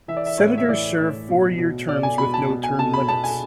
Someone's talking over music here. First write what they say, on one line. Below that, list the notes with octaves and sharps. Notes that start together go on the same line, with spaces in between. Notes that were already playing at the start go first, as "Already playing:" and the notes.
Senators serve four-year terms with no term limits.
E3 E5
D5
E5
A2 C#5
E5
E3 D5
A2
B2
B2
B2 D5
G#5
B2 B5
A5
B2
G#5
B2 A5
B5
B2 A5
G#5